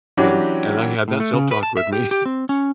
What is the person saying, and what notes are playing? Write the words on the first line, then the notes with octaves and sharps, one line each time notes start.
and and I had that self-talk with me.
E3 F#3 C#4 D4 F#4 G4
A2
A3
C#3
B4
A5
E5
G4
G4
C4
C#4